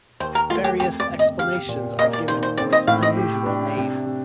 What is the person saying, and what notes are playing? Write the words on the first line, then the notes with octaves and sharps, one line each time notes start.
Various explanations are given for its unusual name.
D#2 C5
A#4
A3 F4
G4
F2 G4
D5
G1
D#5
G4 F5
A#2
A#3 D#5
D5
D#3 C5
C5
C4 D5
D#5
A2 F5
D#5
G4
D4
C3
C3